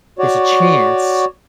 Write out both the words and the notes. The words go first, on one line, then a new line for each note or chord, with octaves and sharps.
there's a chance
F#4 C#5 D5